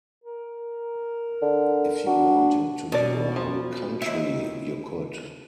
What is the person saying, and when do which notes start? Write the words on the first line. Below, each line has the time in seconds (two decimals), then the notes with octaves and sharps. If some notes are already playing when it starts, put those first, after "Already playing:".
If you wanted to do a whole country, you could.
0.24 A#4
1.42 D3
2.07 D4 F#4
2.92 B2 D4 A#4 D5
3.36 F3
4.02 D#2 E4